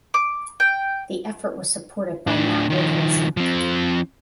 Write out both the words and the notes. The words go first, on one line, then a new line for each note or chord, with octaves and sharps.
The effort was supported by Matt Wood Racing.
D6
G5
A2 D4
D#3 F3
F3 C4